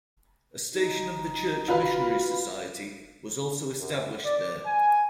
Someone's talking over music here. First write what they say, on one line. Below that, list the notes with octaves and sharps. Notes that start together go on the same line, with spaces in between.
A station of the Church Missionary Society was also established there.
D#4
F4 F#4 B4 F5
F#2
D5
G#5